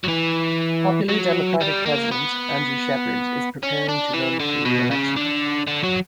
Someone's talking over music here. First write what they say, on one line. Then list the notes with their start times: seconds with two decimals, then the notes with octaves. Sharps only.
Popular Democratic President Andrew Shepherd is preparing to run for re-election.
0.04 F#3
0.08 E3
1.09 F#3
1.61 G3
1.86 A#3
2.11 B3
3.63 C#4
3.89 D4
4.14 E3
4.40 D3
4.65 B2
4.91 C#3
5.16 D3
5.67 D3
5.83 F#3